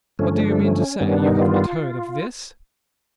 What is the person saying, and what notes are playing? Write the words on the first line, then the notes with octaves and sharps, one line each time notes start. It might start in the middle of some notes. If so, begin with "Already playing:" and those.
But do you mean to say you have not heard of this?
G2 D3 F3 A3 C#4
D4
C#4
G2 D#3 G3 B3 C#4
D4
D#4
F4